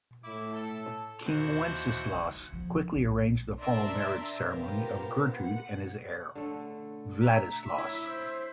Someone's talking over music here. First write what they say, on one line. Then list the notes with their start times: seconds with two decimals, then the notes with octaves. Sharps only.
King Wenceslaus quickly arranged the formal marriage ceremony of Gertrude and his heir, Vladislaus.
0.24 A2 E4 E5 D6
0.53 A4
1.25 D#2 E3 F#4 C5 F#5
2.14 D#4
2.53 F3
2.95 B1
3.61 D4 A#4 D5 E5 A#5 C6
4.43 B3 F4 G4 A#4 C5
5.35 F#5
6.35 D3 A3
7.21 E5 A#5
7.78 E4 C#5
8.06 C5